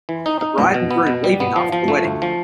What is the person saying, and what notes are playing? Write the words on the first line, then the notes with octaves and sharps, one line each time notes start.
A bride and groom leaving after the wedding.
E3
D#4
D#4
B2
B2
B3
B2
G3
B3
F3
F3
A3
D2
F3